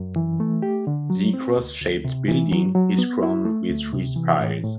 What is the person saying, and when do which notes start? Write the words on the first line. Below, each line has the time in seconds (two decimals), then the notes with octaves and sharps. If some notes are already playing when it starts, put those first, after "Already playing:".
The cross-shaped building is crowned with three spires.
Already playing: F#2
0.16 E3
0.40 A3
0.62 G4
0.87 D3
1.10 F#3
1.33 C4
1.57 D2
1.81 D2
2.05 C3
2.28 E3
2.51 F#3
2.75 F#3
2.98 B3
3.23 E4
3.45 A3
3.69 D2
3.93 C3
4.16 E3
4.40 A2
4.63 A2